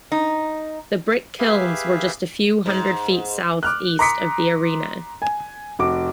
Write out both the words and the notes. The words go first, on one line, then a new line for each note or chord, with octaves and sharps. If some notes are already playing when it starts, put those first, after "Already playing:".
The brick kilns were just a few hundred feet southeast of the arena.
D#4
G4 G#4 B4 E5 F5
G#2
D6 F6 F#6
A#5 C6 D6 D#6 B6 C#7
G#5
F1 F#4 D6